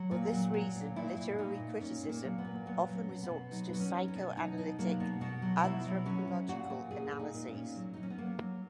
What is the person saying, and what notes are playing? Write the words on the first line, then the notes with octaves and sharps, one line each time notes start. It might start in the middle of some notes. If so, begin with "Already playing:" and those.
For this reason literary criticism often resorts to psychoanalytic, anthropological analyses.
Already playing: F#3
A#2
F#3
F#3
A#2
A#2 E4
A#2
A#2 D#4
A#2
A#2 C#4
A#2
A#3
F#3
B3
A#2
F#3 B3
F#3
C#4
B2
B3
B2
F#3 D#4
F#3 B3
C#4
F#3
C#4
B2
F#3 D#4
B2
F#3 A#3
B2
B2 F#4
F#3
B2 E4
F#3
F#3 C#4
F#3
A#2 F#4
A#2
A#2 G#4
A#2
D#4
A#2
C#4
A#2
F#3
F#3 D#4
C#4
B3
F#3 A#3
F#3